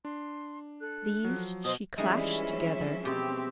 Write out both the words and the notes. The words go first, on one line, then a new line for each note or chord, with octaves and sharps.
These she clashed together.
D4 C6
A4 F#6
F3 F#3
B2 C5 D#5 D#6
E3 F3 G3 G#3 C#4 D#4 E5
B2 C4 G4